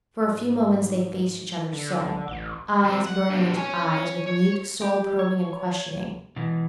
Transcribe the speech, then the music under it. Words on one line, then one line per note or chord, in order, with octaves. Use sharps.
For a few moments they faced each other so, eyes burning into eyes with mute soul-probing and questioning.
G#2
D3
A1
F#3 C4
F#5
G2 B2
C#5 G#5
C#5
G4
C#5
B2 E3